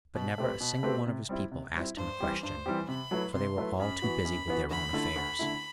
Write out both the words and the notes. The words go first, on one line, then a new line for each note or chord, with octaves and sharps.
But never a single one of his people asked him a question, for they were all too busy with their own affairs.
B2 B5
A3 C4 G4 B4
B2
A3 C4 G4 B4
C3
G3 C4 E4
C3
G3 C4 E4
G2 C5
E3 G3 C4 G4
G2 C5
E3 G3 C4 G4
C3 B5
F#3 A3 E4 B4
C3 C6
F#3 A3 E4 B4
F#2 B5
E3 B3 F#4
F#2
E3 B3 F#4
D2 B5
D3 A3 E4
D2
D3 A3 E4